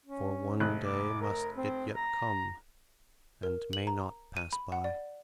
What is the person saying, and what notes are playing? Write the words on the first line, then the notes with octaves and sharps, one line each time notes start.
For one day must it yet come, and may not pass by.
C#4
F1 F#6
D6
A#4
C4
A#5
A#4
F#7
A#5
D#7
B5
F#5
D5